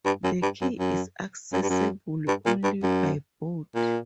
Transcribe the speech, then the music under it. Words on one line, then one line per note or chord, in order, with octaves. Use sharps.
The key is accessible only by boat.
G2
F#2
G2
F#2
F#2
F#2
G2
F#2
G2
A#2
G2
F#2
A#2